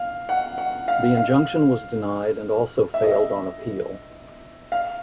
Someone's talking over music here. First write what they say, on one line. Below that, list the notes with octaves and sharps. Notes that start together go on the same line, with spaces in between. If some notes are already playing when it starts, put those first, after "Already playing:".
The injunction was denied and also failed on appeal.
Already playing: F5
F#5
F#5
F5
F5
E5
D#5
E5
F5